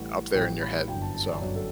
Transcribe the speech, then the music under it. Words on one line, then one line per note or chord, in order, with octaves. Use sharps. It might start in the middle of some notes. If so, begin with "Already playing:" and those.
up there in your head. So,
Already playing: A1 A2 G3 F#5
A1 A2 G3 G5
B5
G1 F#2 D3 F#3 G5
A5
A5
D5
G1 F#2 D3 F#3 C#5
A4